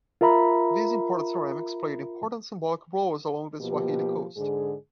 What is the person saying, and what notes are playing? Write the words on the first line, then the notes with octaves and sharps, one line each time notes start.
These imported ceramics played important symbolic roles along the Swahili Coast.
F4 A#4 E5 A#5 B5
B2 F3 A#3 G4
G#2 D3 G#4